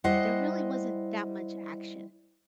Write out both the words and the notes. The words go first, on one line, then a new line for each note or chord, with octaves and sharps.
there really wasn't that much action.
G3 E4 C5 D#5 F#5